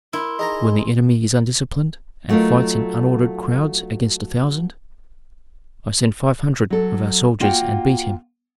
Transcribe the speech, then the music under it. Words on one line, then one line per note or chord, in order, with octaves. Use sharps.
When the enemy is undisciplined and fights in unordered crowds against a thousand, I send five hundred of our soldiers and beat him.
E4 A#4 C6
D#4 G#4 A#4 A#5
F#3 A3 D#4 F4 A#4
F#3 A4
A#3 F4 F#4 F#5 G5